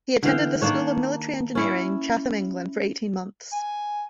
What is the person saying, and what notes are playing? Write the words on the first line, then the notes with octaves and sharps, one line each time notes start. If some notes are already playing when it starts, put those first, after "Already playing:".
He attended the School of Military Engineering, Chatham, England, for eighteen months.
D3 E3 F5 G5
D#3 A#3 D4 C#5
C#4 E4
G#5